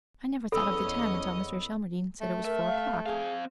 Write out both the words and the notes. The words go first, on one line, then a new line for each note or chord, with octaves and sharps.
I never thought of the time until Mr. Shelmardine said it was four o'clock.
E2 C#4 A4 D#5 B5 D#6 E6
A3
A#4 E5
F5
C4 G#4 F5